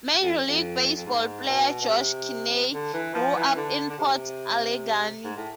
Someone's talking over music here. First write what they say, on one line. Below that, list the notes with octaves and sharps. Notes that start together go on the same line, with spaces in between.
Major League Baseball player Josh Kinney grew up in Port Allegany.
F2
F2
F2
G#2
B2
B2
C3
D3
E3
F3
E3
D3
D3
C3
G#2
A2